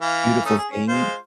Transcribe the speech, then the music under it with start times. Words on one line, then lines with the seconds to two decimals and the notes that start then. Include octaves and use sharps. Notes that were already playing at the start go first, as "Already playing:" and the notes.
beautiful thing
0.01 E3 F5
0.45 A3 C#4 D#4
0.57 G#4
0.71 C#4
0.88 G#3 F4 C5